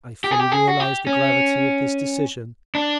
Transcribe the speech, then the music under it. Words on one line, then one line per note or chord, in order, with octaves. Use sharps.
I fully realise the gravity of this decision.
G4
G#4
G4
G#4
F#4
G4
C#4
D4